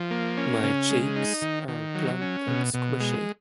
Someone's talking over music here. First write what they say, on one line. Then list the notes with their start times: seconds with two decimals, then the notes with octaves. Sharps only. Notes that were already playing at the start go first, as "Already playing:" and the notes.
My cheeks are plump and squishy.
Already playing: F3
0.11 A#3
0.37 C#4
0.63 C#3
0.90 G#3
1.16 D#4
1.42 D#3
1.68 D#3
1.95 F#3
2.21 C#4
2.47 B2
2.74 B2
3.00 G#3